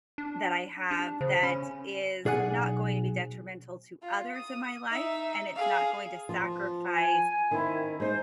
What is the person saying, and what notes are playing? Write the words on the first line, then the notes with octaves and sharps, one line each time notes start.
that I have that is not going to be detrimental to others in my life, and it's not going to sacrifice
D4
D4 G4
C#3 C5
C#4 C#5 B5
B1 G#4 D5 F#5 G#5
F4
D#6
D#4 E5
G#4 F5
F3
G#5
D#3 C4 E4
G#3 D#4 C5